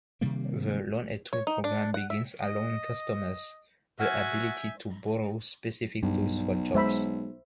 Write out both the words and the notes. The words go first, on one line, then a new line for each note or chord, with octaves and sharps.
The Loan-A-Tool program begins allowing customers the ability to borrow specific tools for jobs.
C3 D#3 G3 A#3
C#5
D#4
D4
F#5
E5
D#5
F#4 E5 F#5 G#5 F6 G6 G#6
B1 G2
G#3 C5 E5 B5